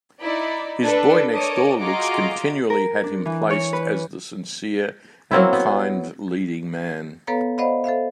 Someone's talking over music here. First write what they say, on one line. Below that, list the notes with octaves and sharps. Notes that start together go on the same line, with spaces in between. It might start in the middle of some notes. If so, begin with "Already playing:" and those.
His boy-next-door looks continually had him placed as the sincere and kind leading man.
D#4 E4 D5 B5
D4 A4 B4 D5
A#4 C#5 D#5 A5 D6 D#6
F4 F#4 G#4 D#5 A#5 D6
A#4
D4
E3
C#5
B4
F#3 A#3 C4 E4
B3
B3 A4 B4 C#5 F5 A#5
C5 D5 D#5 F5 F#5 B5
A4 C5 E5 F5